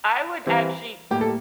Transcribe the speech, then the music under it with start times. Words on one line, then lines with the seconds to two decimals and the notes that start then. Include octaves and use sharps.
I would actually
0.46 E3 G3 C4 E4
1.11 A2 G3 A#3 G4
1.21 A4